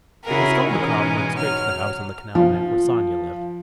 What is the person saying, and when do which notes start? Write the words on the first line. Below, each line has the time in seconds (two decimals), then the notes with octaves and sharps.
Raskolnikov went straight to the house on the canal bank where Sonia lived.
0.24 C#3 E4 F#4 G#4 A#4
0.66 G#2 B2 E3 G#3 C#4 D#4
1.33 F#3 F6
2.35 F3